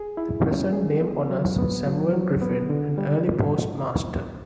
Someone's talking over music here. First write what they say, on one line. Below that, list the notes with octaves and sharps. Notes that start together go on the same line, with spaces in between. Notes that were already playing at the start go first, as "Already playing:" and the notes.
The present name honors Samuel Griffin, an early postmaster.
Already playing: G#4
E4
C#4
G#4
B3
F#3
B3
F#3
F#3
B3
D3
G3